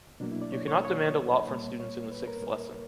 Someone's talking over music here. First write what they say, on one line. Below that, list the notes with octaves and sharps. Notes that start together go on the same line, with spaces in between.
You cannot demand a lot from students in the sixth lesson.
B2 F#3 A#3 D4
E4
D5
C#5
C#5
C#5
C#5
A#2 G3 A#3
C#5
B4
A#4